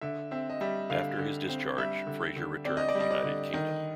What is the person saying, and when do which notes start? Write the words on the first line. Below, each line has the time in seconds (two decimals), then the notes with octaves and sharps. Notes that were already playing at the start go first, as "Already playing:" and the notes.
After his discharge, Fraser returned to the United Kingdom.
0.01 D3 E5
0.31 C4 E5
0.49 D#5
0.61 G3 E5
0.90 D3 F5
1.19 D3
1.49 C4
1.78 G3 E5
2.07 D3
2.36 D3
2.65 C4 D5
2.77 D#5
2.89 D5
2.95 G3
3.00 D#5
3.11 D5
3.24 D3
3.53 D#3 D#5